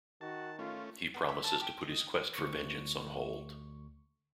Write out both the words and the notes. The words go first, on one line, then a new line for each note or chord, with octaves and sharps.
He promises to put his quest for vengeance on hold.
D#3 F#4 A5
A3 C#4 F4
B3
E5
A4
G4
D#5
D2 C#6